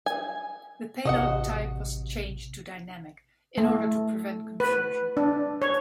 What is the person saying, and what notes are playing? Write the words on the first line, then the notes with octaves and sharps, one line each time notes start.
The payload type was changed to dynamic, in order to prevent confusion.
G#5
A1 C3 F#4 D#5 F#5
A3
B4
D4
C#5